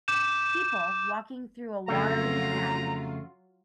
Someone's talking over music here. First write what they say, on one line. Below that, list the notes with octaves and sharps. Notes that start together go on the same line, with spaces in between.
People walking through a watery path.
D6 G6 E7
F2 C#3 F#3 A3 F4 F#4 A#5